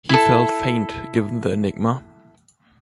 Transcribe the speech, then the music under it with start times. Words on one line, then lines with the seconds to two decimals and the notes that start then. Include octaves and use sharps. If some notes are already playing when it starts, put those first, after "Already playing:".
He felt faint given the enigma.
0.09 E4 A4